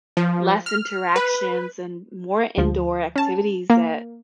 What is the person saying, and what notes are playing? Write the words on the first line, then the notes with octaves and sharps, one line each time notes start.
less interactions and more indoor activities that
F3
F6
B4
D2 F3
C#4 A5
A#3